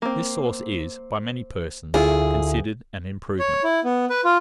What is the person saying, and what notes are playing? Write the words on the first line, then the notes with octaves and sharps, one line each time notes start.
This sauce is, by many persons, considered an improvement.
A#3 C4
D2 E4 F4 G#4
C#5
E4
B3
B4
F4